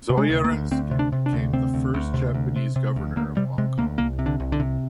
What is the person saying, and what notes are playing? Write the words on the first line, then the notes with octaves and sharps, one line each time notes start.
Isogai Rensuke became the first Japanese governor of Hong Kong.
C3
G#3
D2
A#3
D2
D2 C4
C3
D4
C3
D4
D2
C3 C4
D2
D2
C3
D2
C3
C3
D2
D2 A#3
C3 G3
C3 G#3
D2 A#3
C2 A#3
C3
D3
C2
D3
C3